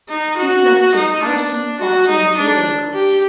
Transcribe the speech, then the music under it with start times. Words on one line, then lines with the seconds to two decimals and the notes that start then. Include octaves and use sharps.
This left just Allerston, Foster and Taylor in post.
0.09 D#4
0.37 F#4
0.95 D#4
1.23 D4
1.81 F#4
2.09 D#4
2.38 D4
2.94 G4